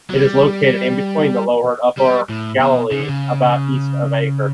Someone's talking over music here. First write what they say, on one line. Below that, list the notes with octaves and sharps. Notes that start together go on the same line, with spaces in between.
It is located in between the lower and upper Galilee, about east of Acre.
F#3
G3
G3
A2
B2
C#3
D3
C#3